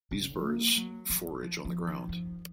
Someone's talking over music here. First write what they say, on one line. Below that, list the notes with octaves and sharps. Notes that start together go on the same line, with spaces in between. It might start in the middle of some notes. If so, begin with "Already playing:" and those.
These birds forage on the ground.
C#3
A#3
F#3
F#3
F3
F3
D#3
F3